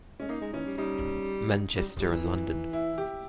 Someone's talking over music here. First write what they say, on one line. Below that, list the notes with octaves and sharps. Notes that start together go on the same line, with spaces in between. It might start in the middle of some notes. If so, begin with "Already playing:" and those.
Manchester and London.
G#3 C#4
A#3 D#4
G#3
E3 C#4
G3
G3 D#4
G3
G3
E3
E4
G4